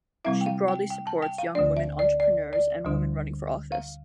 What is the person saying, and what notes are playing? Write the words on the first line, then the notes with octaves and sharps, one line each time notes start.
She broadly supports young women entrepreneurs and women running for office.
C3 G3 C4 E4 E5
G5
F5
G5
G5
A5
G5
F5
D2 D3 A3 D4 D5
E5
D5
D5
D5
D2 D3 G3 D4
F5